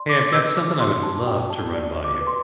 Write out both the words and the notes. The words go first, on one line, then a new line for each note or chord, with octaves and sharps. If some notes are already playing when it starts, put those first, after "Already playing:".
Hey, I've got something I would love to run by you.
Already playing: D5 C6
D6
B4 E6
D6
F#4 C6
A5
F#4 G5
A5
D5
D6
B4
C6